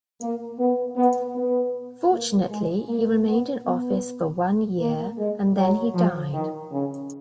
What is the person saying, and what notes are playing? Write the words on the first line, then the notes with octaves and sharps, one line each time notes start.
Fortunately, he remained in office for one year and then he died.
A#3
B3
B3
B3
A#3
G#3
A#3
B3
B3
A#3
G#3
F#3
F3
D#3
C#3